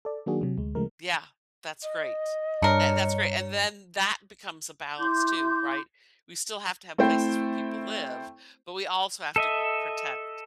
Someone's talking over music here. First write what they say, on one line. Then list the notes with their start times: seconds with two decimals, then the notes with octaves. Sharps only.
Yeah. That's great. That that's great, and then that becomes a balance too, right? We still have to have places where people live, but we also have to protect
0.05 A4 D5
0.26 D#3 F#3 A#3 D4 F#4 G#4
0.41 C3 F#3
0.58 D2 G#3
0.75 C#3 F3 G#3 A3 A#4
1.83 D#5
2.62 G2 D4 A#4 C#5 C#7
4.98 E4 C6 D6 G6
6.98 A3 C4 E4 C5 G5
9.36 A4 D#5 E5